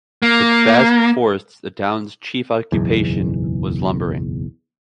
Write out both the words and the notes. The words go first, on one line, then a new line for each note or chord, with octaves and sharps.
With vast forests, the town's chief occupation was lumbering.
A#3
F#1 B1 E2